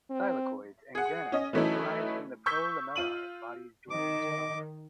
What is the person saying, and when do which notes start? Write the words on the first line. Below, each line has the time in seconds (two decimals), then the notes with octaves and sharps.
Thylakoids and grana arise from the prolamellar bodies during this process.
0.10 C4
0.95 G#4 F#5
1.32 C#4 D#5
1.53 E3 F#3 A3 C#4 D#4 E4
2.46 C#6 E6 G6 B6
2.96 F4 D#7 F#7
3.90 D#3 D#5 D6